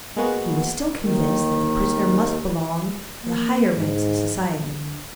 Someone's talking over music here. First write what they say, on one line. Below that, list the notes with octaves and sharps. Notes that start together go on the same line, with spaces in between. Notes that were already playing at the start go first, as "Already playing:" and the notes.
He was still convinced that the prisoner must belong to the higher ranks of society.
G#3 A#3 B3 F#4
D#2 D#3
A#3
G#2
D3